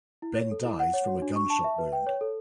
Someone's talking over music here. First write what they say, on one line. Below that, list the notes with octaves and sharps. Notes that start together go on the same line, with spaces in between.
Ben dies from a gunshot wound.
E4
C#5
A4
E4
F#5
C#5
F#4
D4
C#6
A5
E5
B4
G5
C#5
A4